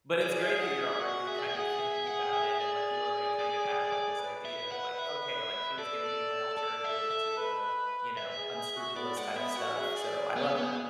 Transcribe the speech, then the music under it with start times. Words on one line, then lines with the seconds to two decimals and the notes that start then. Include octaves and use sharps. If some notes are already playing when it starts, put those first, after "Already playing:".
But it's great that you're already kind of thinking about it and, like, you already kind of have, like, this idea of, like, "Okay, like, here's gonna be my alternative to the, you know, unscrupulous type stuff." So, I love that.
0.21 G#4 D5
0.41 E5
0.61 F#5
0.81 E5
1.00 F#4 F#5
1.27 G#4 E5
1.39 D5
1.47 E5
1.53 G#4 F#5
1.80 E5
2.06 F#5
2.33 E5
2.60 G#4 D5
3.39 D5
3.66 D5
3.92 D5
4.18 B4
4.45 E5
4.72 F#5
4.99 E5
5.78 A4 D5
6.58 A4 D5
6.84 E5
7.10 E5
7.37 B4
8.17 E5
8.37 G#4
8.57 G#4
8.76 F#4
8.96 B3 D5
9.17 G#3 F#5
9.36 B3 E5
9.56 F#4 F#5
9.75 G#4 E5
9.96 D5
10.36 B3
10.56 B3